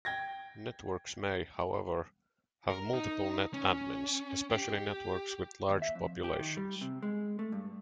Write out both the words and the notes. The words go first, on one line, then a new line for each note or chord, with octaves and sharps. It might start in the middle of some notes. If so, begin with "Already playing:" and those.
Networks may, however, have multiple netadmins - especially networks with large populations.
G5 G#6 A#6
A#4
D#4
C#4
G4
D#2
E5
F2
G4
D#3
G3
C3
G#3
A3
G2